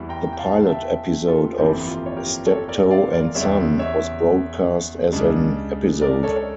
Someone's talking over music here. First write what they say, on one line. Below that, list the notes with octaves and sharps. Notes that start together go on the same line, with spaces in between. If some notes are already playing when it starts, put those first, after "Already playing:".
The pilot episode of "Steptoe and Son" was broadcast as an episode.
Already playing: E2 E3 G3
G5 A#5
G5
F5 A5
A5
E5 G5
F4 A4
G1 F2 E3 A#3 G4
F4
C#5
G4 A#4
A4 C#5
A#4 D5
D5 F5
A#4 D5
E2 C#3 G3 C#5 E5
C#5 E5
C#2 C#3 G3 D4
A#4 D5
A4 C#5
C#5